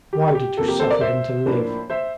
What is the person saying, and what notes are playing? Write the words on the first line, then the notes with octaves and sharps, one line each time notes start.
"Why did you suffer him to live?"
G4
G4
C3 F3 A#3 A4
G4 A#4
A4 C5
A#4 D5
C5 E5
A2 F3 A#3 D4
C5 E5